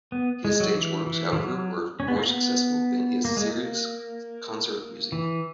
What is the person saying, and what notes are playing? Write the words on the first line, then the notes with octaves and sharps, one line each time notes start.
His stage works, however, were more successful than his serious concert music.
B3
G#3
F#3
E3
E3
E3
F#3
C#4
B3
A#3
B3
A#3
G#3
A#3
E3